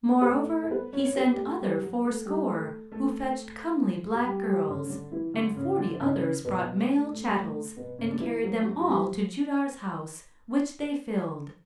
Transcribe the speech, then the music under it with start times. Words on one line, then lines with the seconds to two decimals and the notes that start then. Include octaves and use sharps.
Moreover, he sent other four score, who fetched comely black girls, and forty others brought male chattels and carried them all to Judar's house, which they filled.
0.21 B4
0.28 A3 A4
0.63 A4
0.71 B3 B4
0.93 C#4 C#5
1.05 C#5
1.16 B3 B4
1.31 G4
1.38 A3 A4
1.59 G3 G4
1.81 F#3 F#4
2.04 A3 A4
2.25 G3 G4
2.47 A3 A4
2.92 A3 A4
4.14 F#4
4.24 G3 G4
4.46 G3 G4
4.68 C#3 C#4
4.84 C#4
4.90 D3 D4
5.12 E3 E4
5.34 D3 D4
5.56 C#3 C#4
5.79 D3 D4
6.00 C#3 C#4
6.45 B2 B3
6.89 A3
7.11 A3
7.27 G3
7.33 A3
7.54 A3
7.77 B2 B3
7.99 C#3 C#4
8.11 D4
8.20 E3 E4
8.43 F#3 F#4
8.64 F#3 F#4
8.80 F#4
8.87 G3 G4